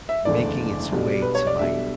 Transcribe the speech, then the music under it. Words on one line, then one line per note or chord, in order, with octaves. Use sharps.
making its way to my
E5
F#1 E2 D3 A3 E4 D5
B1 B2 G3 D4
B4
C#5
D5
B1 B2 G3 D4 E5